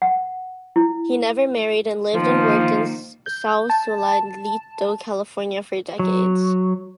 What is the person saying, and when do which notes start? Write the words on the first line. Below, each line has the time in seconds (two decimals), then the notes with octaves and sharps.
He never married, and lived and worked in Sausalito, California for decades.
0.02 F#5
0.76 E4
2.14 D#3 F3 A#3
3.26 G6
3.70 A5
5.99 F#3